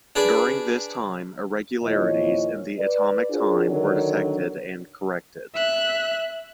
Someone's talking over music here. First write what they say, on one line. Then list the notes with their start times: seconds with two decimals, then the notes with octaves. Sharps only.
During this time, irregularities in the atomic time were detected and corrected.
0.16 D4 G#4 B4 D5
1.83 D#2 A#2 F3 E4 C#5 D#5
2.79 B4 D5
3.29 D4 F4 F#4 G#4 A#4 C5
3.69 D3 D#3 F#3 D4 A#4
5.55 E5 F#6